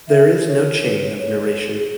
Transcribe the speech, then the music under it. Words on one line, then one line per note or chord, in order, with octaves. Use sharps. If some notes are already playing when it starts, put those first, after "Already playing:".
There is no chain of narration.
E5
G4
C#5
B4
C#5
C#5
G#4
G#4